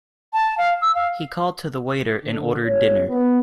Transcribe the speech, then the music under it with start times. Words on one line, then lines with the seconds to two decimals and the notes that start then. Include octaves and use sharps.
He called to the waiter and ordered dinner.
0.33 A5
0.58 F5
0.82 E6
0.95 F5
2.23 D3
2.65 G1 C#5
3.08 B3